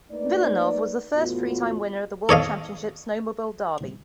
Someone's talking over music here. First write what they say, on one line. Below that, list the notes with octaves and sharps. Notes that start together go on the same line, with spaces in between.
Villeneuve was the first three-time winner of the World Championship Snowmobile Derby.
A3 A#3 D#4 B4 D5
E2 A2 B3 F4 F#4
A4 C#5 D#5 F5